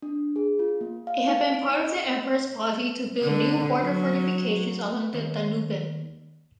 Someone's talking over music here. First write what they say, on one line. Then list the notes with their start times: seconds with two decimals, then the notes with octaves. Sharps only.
It had been part of the emperor's policy to build new border fortifications along the Danube.
0.02 D4
0.36 G#4
0.59 F4
0.81 A#3
1.07 F5
1.28 D#4
1.54 D7
1.82 D#5
3.23 D3
3.80 F#3
5.14 D#2